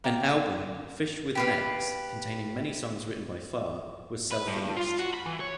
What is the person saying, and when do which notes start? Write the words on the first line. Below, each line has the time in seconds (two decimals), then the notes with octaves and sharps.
An album, "Fish With Necks", containing mainly songs written by Farr, was self-released.
0.04 A#3 G5
1.35 G4 B4 F5
4.32 B4
4.48 G2
4.77 F4
4.99 F#4
5.14 B5
5.26 E3
5.40 C#5